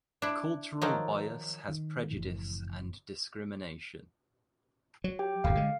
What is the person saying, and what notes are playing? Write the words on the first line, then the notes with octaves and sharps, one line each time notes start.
Cultural bias has prejudice and discrimination.
D4 E4
D#3 F3 F#3
D#3
F#1 F2 A2 E3
F#3
G4 G5
D1 G1 D3 F5
D3 G#3